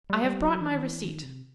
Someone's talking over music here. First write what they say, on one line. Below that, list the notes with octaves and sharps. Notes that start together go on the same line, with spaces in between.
"I have brought my receipt."
G3
G3
F#3
E3
D#3
E3
D#3
C3